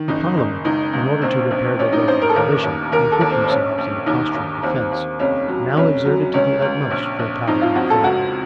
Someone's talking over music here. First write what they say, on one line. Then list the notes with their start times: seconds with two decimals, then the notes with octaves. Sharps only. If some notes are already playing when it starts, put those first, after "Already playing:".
The parliament, in order to repair their broken condition, and put themselves in a posture of defence, now exerted to the utmost their power and authority.
Already playing: D#3
0.08 F#1 D#4
0.37 F#1
0.65 C#2 D#4
0.93 C#2
1.22 A#1 C4
1.51 A#1
1.79 A1 C#4
1.93 D#4
2.08 A1 C5
2.22 A#4
2.29 A4
2.36 D#2 A#4
2.64 D#2
2.92 D#2 A#4
3.12 A4
3.21 D#2
3.30 C4
3.44 C4
3.49 A#1 C#4
3.78 A#1
4.06 D#2 D#4
4.35 D#2
4.63 D#2 C4
4.92 D#2
5.19 F1 C#4
5.48 F#3
5.76 F1 C#4
6.05 F#3
6.34 C#2 C#4
6.62 C#2
6.91 A#1
7.19 A#1
7.47 F2 D#4
7.62 F4
7.75 F2 F#4
7.90 A4
8.04 C#2 F#4